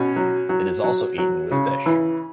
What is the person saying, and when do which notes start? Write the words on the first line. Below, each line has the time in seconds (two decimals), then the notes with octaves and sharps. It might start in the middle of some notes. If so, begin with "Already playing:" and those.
It is also eaten with fish.
Already playing: B2 C#4
0.16 F#3
0.49 F#3
0.84 F#3
1.18 F#3
1.51 C#3
1.86 E3